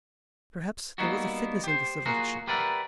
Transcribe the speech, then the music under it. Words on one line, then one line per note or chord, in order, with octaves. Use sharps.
Perhaps there was a fitness in the selection.
G3 A#3 B3 D#4 E4 F#4
G4 C5
A#3 F4 F#4 G#4 A#4
G4 A#4 B4 D5 E5 F#5